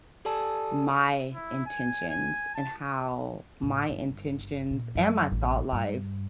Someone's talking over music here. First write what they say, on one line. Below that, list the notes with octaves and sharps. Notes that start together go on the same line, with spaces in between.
my intentions, and how my intentions and my thought life
G4 A4 D5 G#5 A5 E6
E4
G#5
G#5
A5
A1
G1
A#2
F#2
A1
G2